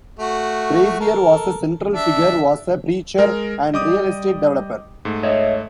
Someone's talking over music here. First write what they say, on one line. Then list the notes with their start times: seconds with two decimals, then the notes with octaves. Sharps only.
Brazier was a central figure was a preacher and real estate developer.
0.19 A3 F#4
1.00 A4 A#4
1.94 D4 E5
3.18 G#3 A#4
3.74 G3 D#5 D6 D#6
5.05 G#2 A3
5.23 C#5 D#5 E5